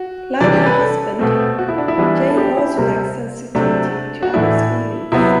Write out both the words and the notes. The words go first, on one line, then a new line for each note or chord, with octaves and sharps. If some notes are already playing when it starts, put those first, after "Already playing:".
Like her husband, Jane also lacks sensitivity to other's feelings.
Already playing: F#4
C3 E3 G3 D4 D5
G4
B4
A4
B2 A3 C4
F#4
E4
D4
E4
E3 G3 B3 D4
A4
G4
E4
C3 G3 C4
C3 F#3 A3 C4 D4
F#4
A2 E3 A3 D4 E4
C3 F#3 B3 E4